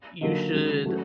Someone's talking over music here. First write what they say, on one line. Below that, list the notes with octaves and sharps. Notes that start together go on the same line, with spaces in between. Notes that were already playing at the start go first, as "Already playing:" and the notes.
you should
D3 F#3 A#3 D#4
D#3 G#3 C#4 F#4
F#3 A3 C#4 F#4